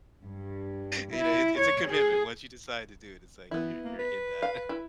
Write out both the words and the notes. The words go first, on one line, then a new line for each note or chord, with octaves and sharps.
You know, it's it's a commitment. Once you decide to do it, it's like you're you're in that.
G2
E4
C#5
G#4
E3 B3 E4
A#3
B4
F5
E4